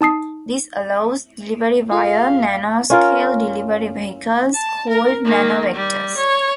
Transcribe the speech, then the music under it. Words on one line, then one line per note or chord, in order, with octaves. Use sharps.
This allows delivery via nano-scale delivery vehicles called nanovectors.
D#4 A5 D#6 C7
F4 G#4 A4 F5
C#4 F4 A#4
A5
A#4
D#3 A#3
G3
C#5